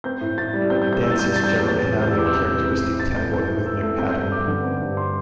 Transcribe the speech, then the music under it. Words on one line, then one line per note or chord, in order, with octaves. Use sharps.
Dances generally have a characteristic tempo and rhythmic pattern.
C4 G6
A2
A2 A6
G3
C4 G6
G6
A2
G6
A2 E6
A6
G3 G6
G3 A6
G6
E2 A6
G6
E2 A6
C3
G3 G6
E6
E2 D6
E6
E2 G6
C3
C4
A2
A2 A6
A3 G6
C4 G6
A2
A2 E6
A3 E6
C4 G6
G6
G2
G2 D6
D3
C4
G2
C6